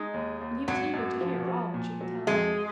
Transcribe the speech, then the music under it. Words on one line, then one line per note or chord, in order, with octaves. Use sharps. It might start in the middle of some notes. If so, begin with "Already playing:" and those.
And he was eager to hear all that she could tell him.
Already playing: G#3 D#4
D#2
D#2
G#1 F#3
F#2
F3
F3
A#2
F#3
F2 G#3